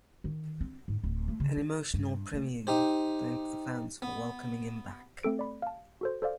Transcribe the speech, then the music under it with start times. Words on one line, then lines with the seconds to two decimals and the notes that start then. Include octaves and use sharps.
An emotional Primeau thanked the fans for welcoming him back.
0.24 D#3
0.61 C4
0.88 G#2
1.03 D1
1.28 A3
1.40 C#3
1.57 D#4
1.94 G2
2.33 A3
2.67 D#4 G4 C5
4.02 B3
5.23 A3 C4 A4 D7
5.39 D5 B5
5.62 F5 A5
6.01 F#4 A4 C5
6.22 A4 C5 D5 F5